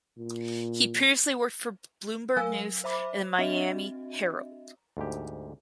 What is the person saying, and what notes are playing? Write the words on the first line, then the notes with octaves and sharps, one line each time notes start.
He previously worked for Bloomberg News and "The Miami Herald".
A#2
F#3 A#4 F5 G#5 E6
C5 E5 B5 D6
C4 D4 F#4 D#5 E5
D2 G#2 G4